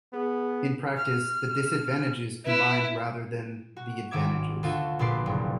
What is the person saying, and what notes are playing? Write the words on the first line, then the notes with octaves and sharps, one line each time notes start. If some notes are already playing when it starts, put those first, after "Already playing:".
In practice, the disadvantages combined rather than the advantages.
B3 G#4
F6
E4 B4
F#4
G#1 D#3 E5 D6 G#6
D2 F4 F#4 A4
A#1 A#2 B4 D5 C6
F#1